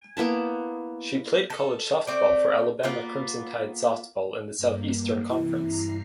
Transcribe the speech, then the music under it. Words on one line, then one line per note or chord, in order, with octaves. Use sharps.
She played college softball for Alabama Crimson Tide softball in the Southeastern Conference.
A#3 B3 E4 A5
A4
A3 C4 D5
A#3 B3 F4
G2 A#3
C3 E3 E4
G2 A#5 C7